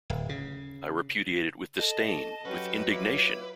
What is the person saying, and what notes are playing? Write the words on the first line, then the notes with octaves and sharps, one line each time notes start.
I repudiate it with disdain — with indignation.
D1
C#3
A4 D#5 A5
F#3 C#4 G4 B4 F#5
E4 F4 D6